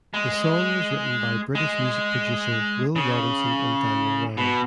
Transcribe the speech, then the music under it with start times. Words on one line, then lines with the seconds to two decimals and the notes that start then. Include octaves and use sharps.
The song was written by British music producer Will Robinson and Daniel Ryan.
0.14 G#3
1.55 G#3
2.96 C#3
4.37 B2